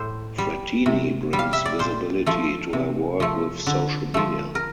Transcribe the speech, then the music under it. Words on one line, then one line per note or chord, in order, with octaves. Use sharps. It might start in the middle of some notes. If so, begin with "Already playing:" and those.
Fratini brings visibility to her work with social media.
Already playing: A2 C5
G3
C3
G3
F5
E5
D5
A#2 C5
F3 A3
C3
F3 A3
D3
F3 A3
A#4